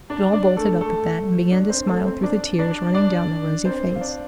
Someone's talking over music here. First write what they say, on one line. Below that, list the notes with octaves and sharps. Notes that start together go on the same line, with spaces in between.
Joel bolted up at that, and began to smile through the tears running down the rosy face.
D4 D5
D4 D5
A3 A4
A3 A4
D4 D5
C4 C5
A3 A4
C4 C5
D4 D5
D4 D5
D4 D5
C4 C5
F5
D4 D5